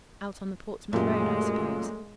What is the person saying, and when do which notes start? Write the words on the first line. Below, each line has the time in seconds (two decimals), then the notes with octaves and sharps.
"Out on the Portsmouth Road, I suppose?"
0.93 F#2 A#2 G#3 A3 G4